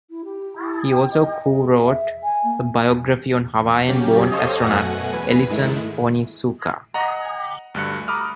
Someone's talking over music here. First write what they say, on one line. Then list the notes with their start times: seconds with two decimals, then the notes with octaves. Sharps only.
He also co-wrote a biography on Hawaiian-born astronaut Ellison Onizuka.
0.10 E4
0.25 G4
0.58 E4
0.92 G5
1.12 D#5
1.51 G#4
1.85 E5
2.24 G#5
2.44 A#3
3.89 C#3 F#3 C#4 G4
4.31 A4 C5 C#5 D#5 F5
4.62 F#2 B2 A3 F#5 G#5 A#6
5.13 E2 B4 G#5 D#7
5.49 G#2 D#3 G#3 A3 E4
6.94 D#5 F#5 A#5
7.74 D2 G2 F#6 C#7
8.08 A#5 B5 D6 D#6 F6